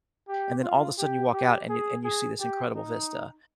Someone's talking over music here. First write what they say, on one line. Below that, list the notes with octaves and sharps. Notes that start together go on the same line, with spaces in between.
and then all of sudden you walk out and you and you see this incredible vista.
G4
F4
G4
G4
G#4
G#4
G4
D#4